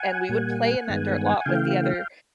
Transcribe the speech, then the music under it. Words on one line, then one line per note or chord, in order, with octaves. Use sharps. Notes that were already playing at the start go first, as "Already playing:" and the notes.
and we would play in that dirt lot with the other
Already playing: F#5 G#5
A#2 G3 A#3
G2 D#3 G#3 B3
F#5
C#3 E3 A3 F5 G5